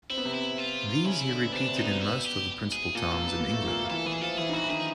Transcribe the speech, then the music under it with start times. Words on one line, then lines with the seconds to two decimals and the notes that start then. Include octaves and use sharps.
These he repeated in most of the principal towns in England.
0.10 C4 E4
0.17 B3
0.25 C3 C4
0.34 E4
0.58 F4
1.05 C#3 C#4 E4
1.29 D3 D4
1.46 B3
1.52 C3 C4 D4
1.68 C3 C4
1.76 D#4
1.84 B2 B3
2.00 E4
2.24 G4
2.72 G#4
2.95 A#2 A#3 A4
3.11 A#2 A#3
3.27 B3
3.40 A#3
3.53 A3
3.66 A#2 A#3
3.84 F4
3.90 E3 E4 A4
4.06 E3 E4 G#4
4.21 F3 F4 A4
4.37 E3 E4 G#4
4.49 D#4
4.53 E3 E4 F#4
4.64 E4
4.69 D#3 D#4 G#4